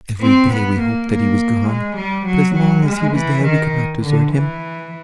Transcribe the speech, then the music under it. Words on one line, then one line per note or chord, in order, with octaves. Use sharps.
Every day we hoped that he was gone, but as long as he was there we could not desert him.
C4
B3
A#3
A#3
G#3
G3
F#3
F#3
G#3
E3
D#3
D3
E3